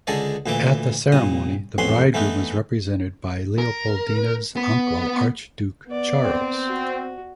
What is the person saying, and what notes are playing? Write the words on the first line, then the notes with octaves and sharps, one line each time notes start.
At the ceremony the bridegroom was represented by Leopoldina's uncle, Archduke Charles.
C#2 D3 G#4 A4 D5 D#5
D2 A#2 E3 E5 D6
C2 A#2 D#6
A1 F2 B3 C#4 B5 C6
E3 A3 B3 D#4
A#4
B3 B4
B3 D5
C4
F#4